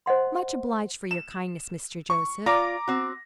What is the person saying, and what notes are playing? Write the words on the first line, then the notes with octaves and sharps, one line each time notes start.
Much obliged for your kindness, Mr. Joseph.
C5 D#5 F#5 C6
E7
C#6
F4 D5 A#5 D6 A#6
C4 F#4